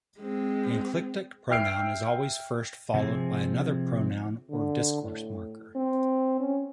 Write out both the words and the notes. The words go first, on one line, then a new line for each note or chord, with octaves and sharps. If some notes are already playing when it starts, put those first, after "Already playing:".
The enclitic pronoun is always first followed by another pronoun or discourse marker.
G#3 C4
E5 G5 E6 F6 C7 D7
C3 F3 G#3 C4 G#4
D3
A2
C4
C#4